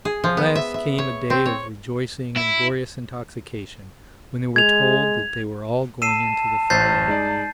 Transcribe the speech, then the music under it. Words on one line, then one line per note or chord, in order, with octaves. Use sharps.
At last came a day of rejoicing and glorious intoxication, when they were told that they were all going into the firing-line.
G#4
F3
B3
E5
E5
C#5
C4
C#5
E4
G#3 G#6 F7
A5 E6 C7 D#7 E7
A1 C5 G6 A6 C7
G#3 D#4 D5